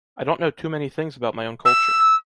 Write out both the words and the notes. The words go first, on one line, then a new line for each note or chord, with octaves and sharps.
I don’t know too many things about my own culture.
E6